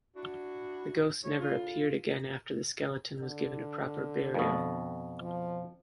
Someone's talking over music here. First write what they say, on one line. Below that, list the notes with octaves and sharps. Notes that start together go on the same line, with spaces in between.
The ghost never appeared again after the skeleton was given a proper burial.
D4 E4 F#4
D#2 G#2 D#3 E3 C#5
D2 A2 F4
D3
F2 B2
F3